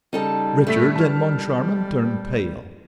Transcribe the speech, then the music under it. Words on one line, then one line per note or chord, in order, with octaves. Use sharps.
Richard and Moncharmin turned pale.
C#3 G3 D#4 A4 A5
A2 A3 A4 B6
A5 F6